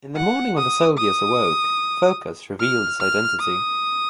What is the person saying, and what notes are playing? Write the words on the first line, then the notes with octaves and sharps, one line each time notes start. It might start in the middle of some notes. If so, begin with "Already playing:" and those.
In the morning, when the soldiers awoke, Phocas revealed his identity.
F#5
D#6
D#6
F6
F6
D#6